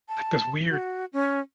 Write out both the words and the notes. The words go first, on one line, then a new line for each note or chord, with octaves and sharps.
like this weird
A5
F#4
C#4